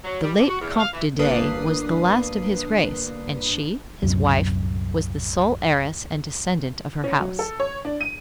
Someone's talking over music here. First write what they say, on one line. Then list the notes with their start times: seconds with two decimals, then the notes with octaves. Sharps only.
The late Comte de Dey was the last of his race, and she, his wife, was the sole heiress and descendant of her house.
0.04 F#3
0.24 G3
0.37 D3
0.49 F#4
0.61 E2
0.79 F5
0.93 E3
1.19 G1 A#3 D4 B4 D#6 C7
4.03 C2 F#2 A2 F#3
7.04 C#4
7.20 F#3
7.39 A4
7.60 C#5
7.85 D4
8.01 D#7